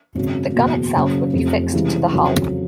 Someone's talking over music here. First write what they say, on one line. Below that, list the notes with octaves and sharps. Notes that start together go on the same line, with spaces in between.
The gun itself would be fixed to the hull.
G#1 F#2 C#3
F#1 E2 B2
F#1 F#2 C#3 F#3
F1 F2 C3
C#2 C3 E3 G3
F2 C#3 F#3